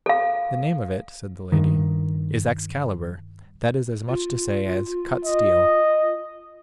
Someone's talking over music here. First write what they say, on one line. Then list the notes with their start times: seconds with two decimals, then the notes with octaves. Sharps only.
The name of it, said the lady, is Excalibur, that is as much to say as Cut-steel.
0.06 A4 F5
1.52 G2 D#3
4.09 F4
5.25 D#5